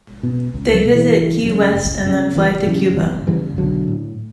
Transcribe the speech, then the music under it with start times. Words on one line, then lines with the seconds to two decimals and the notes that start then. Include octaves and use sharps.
They visit Key West and then fly to Cuba.
0.23 B2
0.54 C#2
0.74 F#3 A3
0.85 B2
0.95 E3
1.15 F#1
1.45 F#2 C#3
1.76 F#1
2.06 F#2 C#3
2.36 F#1 E3
2.66 F#2 C#3 E3
2.96 F#1 E3 G3
3.27 F#2 C#3 E3 G3
3.57 B1 D3 F#3
3.88 A2